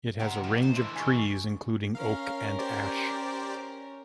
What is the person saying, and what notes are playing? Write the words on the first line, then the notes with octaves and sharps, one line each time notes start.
It has a range of trees including oak and ash.
C#3 C4 D#4 G4 C5 F#5
A#2 F3 G#3
A3 D#4 C5
D3 E3 C6
C3 D#4 G#5 C#6
C#4 A#4 F5
G4 C5 D5